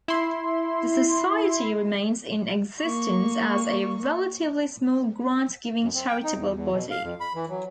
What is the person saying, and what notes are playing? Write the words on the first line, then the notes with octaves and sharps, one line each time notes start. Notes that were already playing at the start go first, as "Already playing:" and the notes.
The society remains in existence as a "relatively small grant-giving charitable body".
E4 C6
A#3 C#6
F#2
C4
G5
D#4
E2
E2
B2
F5
F2
B5
E3
F#3